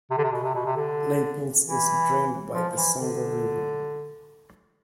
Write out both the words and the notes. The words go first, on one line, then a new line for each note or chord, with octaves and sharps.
Naples is drained by the Songo River.
C3
D3
C3
B2
C3
B2
C3
D3
E3
F3
E3
D3